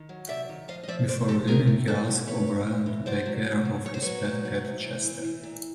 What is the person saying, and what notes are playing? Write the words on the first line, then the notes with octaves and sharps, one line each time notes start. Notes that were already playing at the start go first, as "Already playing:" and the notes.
Before leaving, he asks O'Brien to take care of his pet cat Chester.
Already playing: D#3
F#3
C3 D5 E5
D#3
F3 D#5 F5
D#5
F3 D5 E5
F3 C5 D5
F3 G4 A4
A2 G#4 A#4
A2
F#3 A4 B4
F#3
E3 B4 C#5
E3
C3
E3
F#3 C5 D5
F#3
A#2
F#3
F#3 C#5
C5
F#3 B4 C#5
A#2
F#3
C3
E3
E3
E3
A#2